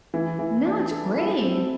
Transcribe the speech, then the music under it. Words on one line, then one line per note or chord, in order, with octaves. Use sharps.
No, it's great.
E3
E3
D4
A4
E4
C4